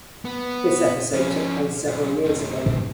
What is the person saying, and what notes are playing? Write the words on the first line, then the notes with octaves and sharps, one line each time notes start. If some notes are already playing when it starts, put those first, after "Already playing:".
This episode took place several years ago.
B3
F3 C#4
B1
F2 D#3